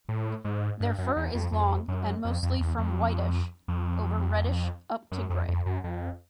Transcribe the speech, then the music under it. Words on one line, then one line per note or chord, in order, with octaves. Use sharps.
Their fur is long and mostly from whitish over reddish up to grey.
A2
G#2
G2
F#2
E2
F2
F2
F#2
F2
F2
E2
F2
F2
F#2
F2
F2
F#2
F2